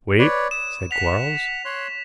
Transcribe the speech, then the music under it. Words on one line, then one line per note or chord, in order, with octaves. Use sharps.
"Wait," said Quarles.
B4 C#5 D5
D#6 E7
F#5 B6 F7
C#5 C6 F#6